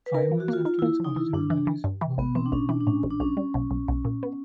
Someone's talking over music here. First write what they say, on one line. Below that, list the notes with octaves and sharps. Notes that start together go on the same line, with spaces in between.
Five months after its original release, Boom, Boom, Boom, Boom!!
B4
D#4 A#4
F3
F#4
A#3
F4
D#4 F4
A#3 E4
F3 D#4
E3 E4
G2 D4
E3 D4
E3
G2
E3
A1 B3
E3 C4
D4
A1 C#4
E3 D4
D4
A2 C#4
A1
D4
B1 C#4
G3
B1
B1
B1
A#2
B3